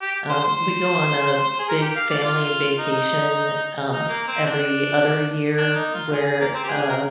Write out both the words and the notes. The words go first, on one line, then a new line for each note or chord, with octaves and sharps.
um we go on a big family vacation, um, every other year where, uh,
G4
C5
C5
G#4
A#4
G4
F5
D5
F4
D#4
D#4
A#3
C4
D4
D4
D#4
F4
G#4
G#4
A#3
C4
G4
G#4
A#4